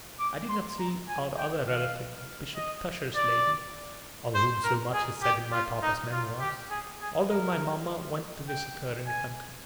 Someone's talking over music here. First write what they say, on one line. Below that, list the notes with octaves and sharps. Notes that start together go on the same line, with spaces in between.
I did not see our other relative, Bishop Tusher's lady, of whom so much is said in my papa's memoirs--although my mamma went to visit her in the country.
D6
C6
A#5
G#5
G5
F5
D#5
D5
C5
A#4
G#4
G4
F4
D#4
F4
G4
G#4
G#4
A#4
G5
G#5